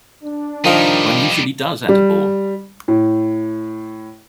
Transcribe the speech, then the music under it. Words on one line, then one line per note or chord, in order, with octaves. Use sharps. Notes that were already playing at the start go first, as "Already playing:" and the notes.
One usually does at a ball.
D4
D#3 F3 G3 D#4 A#4
G3
A2